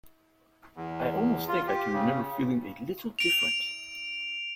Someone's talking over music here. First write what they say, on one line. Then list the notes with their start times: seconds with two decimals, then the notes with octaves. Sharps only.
I almost think I can remember feeling a little different.
0.76 E2
1.48 F4
1.67 G4
1.93 C#3
3.19 D7 F7